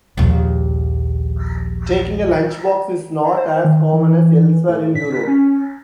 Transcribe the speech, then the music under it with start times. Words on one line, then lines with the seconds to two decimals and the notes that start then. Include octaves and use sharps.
Taking a lunchbox is not as common as elsewhere in Europe.
0.17 A#1 D#2
3.37 C5
3.64 D#3
3.93 E3
4.69 A2
4.95 B6
5.27 C#4